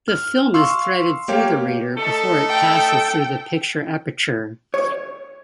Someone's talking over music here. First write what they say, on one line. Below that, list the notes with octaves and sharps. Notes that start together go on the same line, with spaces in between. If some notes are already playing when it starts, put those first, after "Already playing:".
The film is threaded through the reader before it passes through the picture aperture.
F6
F5 C6 C#6 E6
A#3 G4 C#5 F5 G5
A3 D#4 A4
G5
C#5